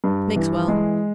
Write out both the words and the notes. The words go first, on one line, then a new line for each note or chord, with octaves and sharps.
Mix well.
G2
E3
G#3